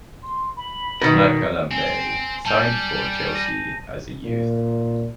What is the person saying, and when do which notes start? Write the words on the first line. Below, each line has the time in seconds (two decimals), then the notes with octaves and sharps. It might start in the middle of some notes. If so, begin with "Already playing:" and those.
Ma-Kalambay signed for Chelsea as a youth.
0.23 C6
0.57 B5
1.02 B2 D#3 A#4 B4
1.71 C4 G#5
2.45 G3 A5 G6
3.35 A#6 D#7
4.25 A#2